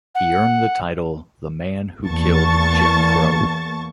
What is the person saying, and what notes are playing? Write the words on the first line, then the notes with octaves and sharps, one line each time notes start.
He earned the title "The Man Who Killed Jim Crow".
F#5
E2 A#3 A5 C#6 A6